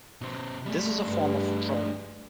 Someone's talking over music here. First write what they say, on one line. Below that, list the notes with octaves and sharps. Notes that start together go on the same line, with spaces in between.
This is a form of trolling.
B2 C5
G3 A3
G2